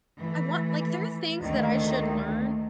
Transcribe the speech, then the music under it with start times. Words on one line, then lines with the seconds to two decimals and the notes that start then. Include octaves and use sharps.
I want, like there are things that I should learn,
0.21 E3 A3
1.40 D2 D#3 A3 A#3